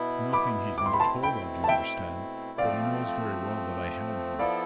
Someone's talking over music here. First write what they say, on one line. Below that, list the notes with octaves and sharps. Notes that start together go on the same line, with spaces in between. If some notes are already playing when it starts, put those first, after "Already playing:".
Nothing he can get hold of, you understand; but he knows very well that I had him.
Already playing: B2 B3 E4
B5 D6
B2 A3 C4 E4 D6
C6
B5
A5 C6
G5 B5
A5
E5 G5
F3 A3 C4 D5 F5
F3 B3 E4 A4 D5 F5